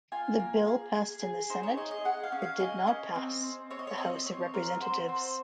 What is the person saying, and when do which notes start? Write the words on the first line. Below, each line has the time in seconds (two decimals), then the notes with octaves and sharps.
The bill passed in the Senate, but did not pass the House of Representatives.
0.12 F4 G#5
0.39 A#3
0.67 G#4
0.94 G#4
1.22 G#4
1.50 D#4 C5
1.63 C#5
1.77 G#4 D#5
1.91 D#5
2.05 G#4 F#5
2.24 F5
2.32 C#4
2.42 F5
2.60 G#4 D#5
2.88 C#4
3.15 C4
3.43 C4
3.70 C4 C#5
3.79 D#5
3.87 C#5
3.98 C4 D#5
4.26 C4 C#5
4.54 C4 A#4
4.81 F#4 C5
5.09 C4